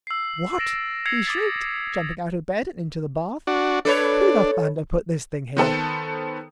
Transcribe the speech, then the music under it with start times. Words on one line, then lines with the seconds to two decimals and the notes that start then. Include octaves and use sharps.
"What!" he shrieked, jumping out of bed into the bath; "Who the thunder put this thing here?"
0.07 E6 C7
0.58 A6 A#6 D7 E7
1.06 E6 G#6 A#6 C7 C#7 F7
1.26 D6 D#6 A6 B6
3.47 D4 F#4
3.85 D4 A4 B4 C#5
5.57 D#3 B3 A4 C5